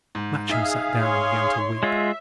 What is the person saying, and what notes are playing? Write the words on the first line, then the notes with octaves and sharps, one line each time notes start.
Matcham sat down and began to weep.
G#2
D#4 G#4 E5 F5
C#5 C6
G#3 F4 E5